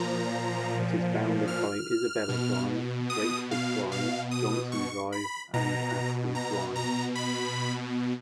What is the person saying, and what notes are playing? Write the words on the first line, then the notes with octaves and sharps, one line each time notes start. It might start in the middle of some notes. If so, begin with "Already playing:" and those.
It is bounded by Isabella Drive, Drakeford Drive, Johnson Drive and Ashley Drive.
Already playing: A#2 F3 A#5
F6
B2
D#6
F5
F5
D#6
C#6
B5
B2 A#5
A#5
A#5
B5